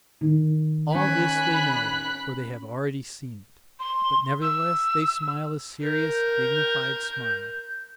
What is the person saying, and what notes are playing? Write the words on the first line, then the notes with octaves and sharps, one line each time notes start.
All this they know, for they have already seen it, but nevertheless they smile a serious, dignified smile.
D#3
C#4 G#5 B5 C#6 F#6
C6
E6
A#4 G6